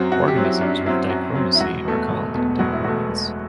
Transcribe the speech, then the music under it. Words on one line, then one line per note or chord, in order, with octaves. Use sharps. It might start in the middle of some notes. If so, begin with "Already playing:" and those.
Organisms with dichromacy are called dichromats.
Already playing: F#2 F#3 C4 F#4
F#2 F#4
G4
F#3 C4
E4
F#2 D4
F#3 C4 E4
F#2 F#4
F#3 C4
E4
E1 F#4
E2 B2 A3
E1
E2 B2 A3
E1 F#4
E4
E2 B2 A3 F#4
E1